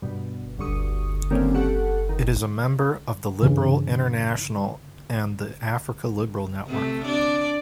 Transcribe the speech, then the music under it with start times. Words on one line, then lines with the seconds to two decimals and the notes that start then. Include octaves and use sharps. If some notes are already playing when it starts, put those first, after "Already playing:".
It is a member of the Liberal International and the Africa Liberal Network.
0.02 G2 B2
0.58 D2 G2 G3 C#6 D#6
1.30 D3 D#3 G3 A#3 C4 C#4
1.54 G4 A4 F#5 C#6 F#6
2.09 D#3
3.42 G2 C#3 E3
6.67 C3 A3
7.05 D4 D5